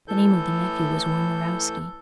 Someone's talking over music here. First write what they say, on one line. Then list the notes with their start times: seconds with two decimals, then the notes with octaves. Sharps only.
The name of the nephew was Warnarowski.
0.08 A2 E3 A4 G6